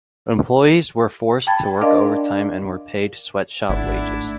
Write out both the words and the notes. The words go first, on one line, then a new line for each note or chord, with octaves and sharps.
Employees were forced to work overtime and were paid sweatshop wages.
G5 A5 B5 G#6 A6
D4 A#4 D5 D#5 F5 C6
G#1 G#2 A3 D4 E4 F#5